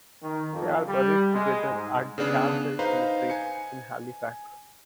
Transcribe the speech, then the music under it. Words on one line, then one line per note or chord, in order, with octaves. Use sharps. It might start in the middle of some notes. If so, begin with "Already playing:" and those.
They are buried together at the Camp Hill Cemetery, in Halifax.
D#3
F2
G3
G#3
G#2
C#3 B3 D4 G#4
D#4 B4 C5 F5 A#5
G#5 C#7